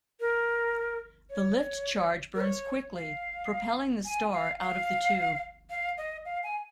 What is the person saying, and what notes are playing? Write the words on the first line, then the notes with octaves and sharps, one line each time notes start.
The lift charge burns quickly, propelling the star out of the tube.
A#4
C#5
A#4
C#5
F5
G#5
F5
F5
F5
D#5
F5
G#5